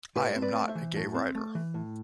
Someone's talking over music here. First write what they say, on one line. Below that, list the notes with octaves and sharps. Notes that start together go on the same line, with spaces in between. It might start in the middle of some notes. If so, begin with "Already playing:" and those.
I am not a gay writer.
A2 G4 B4
C4
B4 D5
A3
C5 E5
E3
A2
C4
A3
E3
A2